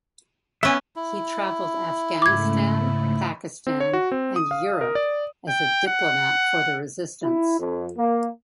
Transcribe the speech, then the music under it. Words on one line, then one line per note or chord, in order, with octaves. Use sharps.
He traveled Afghanistan, Pakistan and Europe as a diplomat for the resistance.
B3 C#4 E5 G#5
E4
G#2 C#3 A3 D6 G#6
C4
C#5
F#4
C4
D#6
F5
A#4
D5
G5
F#5
E4
F2
A#3